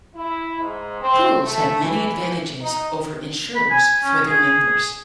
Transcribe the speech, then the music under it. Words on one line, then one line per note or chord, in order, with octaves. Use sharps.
Pools have many advantages over insurers for their members.
E4
G#2
C4
A3
E3
D#4
B5
G#5
C#4
G#4